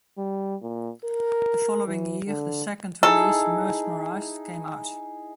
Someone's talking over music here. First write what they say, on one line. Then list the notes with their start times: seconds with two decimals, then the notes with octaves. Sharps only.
The following year the second release "Mesmerized" came out.
0.18 G3
0.62 A#2
1.04 A#4
1.87 E3
2.28 D3
3.03 D#4 E4 G#4 A4